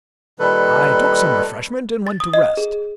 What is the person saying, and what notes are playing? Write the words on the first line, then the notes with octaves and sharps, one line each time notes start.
I took some refreshment, and went to rest.
A#2 D#3 G3 A4 B4
A6
D#6
D#5
G#4